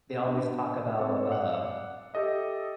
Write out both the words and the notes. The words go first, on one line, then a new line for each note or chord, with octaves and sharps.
they always talk about, uh,
B3 D4
C4 A4 B4 C#5
D5 F5 F#5
G4 A4 D#5 E5